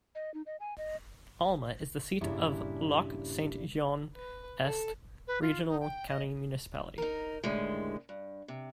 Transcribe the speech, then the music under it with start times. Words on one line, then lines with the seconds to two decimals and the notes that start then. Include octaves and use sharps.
Alma is the seat of Lac-Saint-Jean-Est Regional County Municipality.
0.15 D#5
0.34 D#4
0.46 D#5
0.60 G#5
0.78 D#5
2.21 G2 A#2 C#3 G3 D4 E4
4.15 B4
4.62 A4
5.28 B4
5.42 F4
5.68 D#4
5.80 G5
6.09 D#5
6.98 D#4 A#4
7.44 A2 D3 D#3 G3 G#3
8.09 G2
8.48 C3